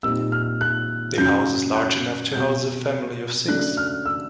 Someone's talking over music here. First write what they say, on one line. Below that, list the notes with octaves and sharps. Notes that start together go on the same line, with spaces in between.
The house is large enough to house a family of six.
A#2 G3 C4 D#4 E6
F6
F#6
F#2 C#3 F#3 G6
F#6
B2 G3 C4 G6
C#3 F#3 A3 D4 F#6
F6
E6